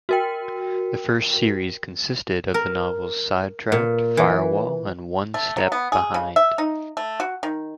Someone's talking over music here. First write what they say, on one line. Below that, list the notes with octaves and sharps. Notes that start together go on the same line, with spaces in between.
The first series consisted of the novels "Sidetracked", "Firewall" and "One Step Behind".
F#4 A#4 G5
A#4
A#2
E3
A3
F#3
B3
G#4
C#3
E5
D#4
A3
F#4
D#3